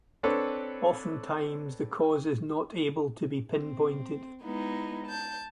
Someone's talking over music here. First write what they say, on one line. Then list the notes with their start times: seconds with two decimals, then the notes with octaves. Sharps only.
Oftentimes, the cause is not able to be pinpointed.
0.23 C4 D4 A4 B4 C#5
3.54 C4
4.43 G#3 B3 D#4 E4
5.07 A5 G6